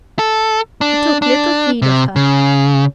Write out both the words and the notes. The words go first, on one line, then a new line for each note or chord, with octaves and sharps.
He took little heed of her.
A4
D4
D4
C3
C#3